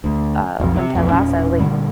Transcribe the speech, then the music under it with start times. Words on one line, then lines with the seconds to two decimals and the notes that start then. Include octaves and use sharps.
uh, from Ted Lasso, like,
0.04 D2
0.60 B1 F2
0.75 C3
0.94 B1 F2 A#2
1.11 E1 A#2 C#4
1.60 A#2 D3 G3